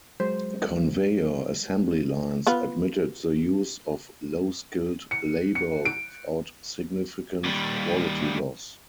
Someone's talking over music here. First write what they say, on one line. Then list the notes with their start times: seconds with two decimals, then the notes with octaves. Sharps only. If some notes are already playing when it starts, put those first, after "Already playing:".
Conveyor assembly lines admitted the use of low-skilled labour without significant quality loss.
0.20 F#3 G#3 C5
2.47 B3 F4 B4
5.11 C#7
5.55 C#7
5.85 D7
7.44 D#2 G3